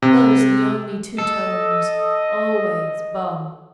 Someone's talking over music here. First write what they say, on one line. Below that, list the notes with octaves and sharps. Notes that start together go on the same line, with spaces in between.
Those are the only two tones. Always bum!
C3
A4 D#5